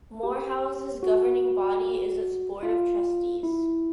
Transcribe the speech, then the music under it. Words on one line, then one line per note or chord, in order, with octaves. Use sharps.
Morehouse's governing body is its Board of Trustees.
G4
F#4
F4
E4